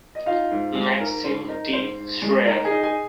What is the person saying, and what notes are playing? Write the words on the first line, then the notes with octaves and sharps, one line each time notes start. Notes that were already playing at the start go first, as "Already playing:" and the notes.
Maxim D. Shrayer.
D#5
D#4 F4 F5
G#2
G#3
G#5
G#2 A#4 A#5
G#2 C5 C6
D#4 A#4 A#5
G#2 C5 C6
G#2
G#3
D#4 A#4 A#5
G#4 G#5
D#4
G#4 G#5